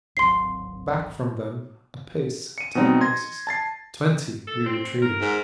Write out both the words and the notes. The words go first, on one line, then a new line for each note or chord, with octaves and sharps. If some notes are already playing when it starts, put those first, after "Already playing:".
Back from them, a pace, ten paces, twenty, we retreated.
D1 G#1 F#3 C6 C7
C#7 D#7
B2 C4 D#4
C6 G#6 A#6
A5 A6 C7
A4
C4
A#4
G#2